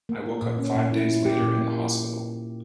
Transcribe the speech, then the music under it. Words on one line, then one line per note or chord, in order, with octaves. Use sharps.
I woke up five days later in the hospital.
A#3
A#3
A#2
C#4
A#2
E4
E4
A#3 G4
A#2
A#3